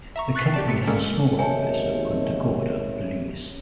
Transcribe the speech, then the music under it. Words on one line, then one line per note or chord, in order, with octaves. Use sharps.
The company has a small office in Punta Gorda, Belize.
E5 A#5 C#6
C#6 F#6 A6 B6 C7
G4 D5 A5
C3 B6 C#7
D3 G#3 A#3 C#4 A4 A#4
G#1 D#2 G4 C#5 E5 G#5 A5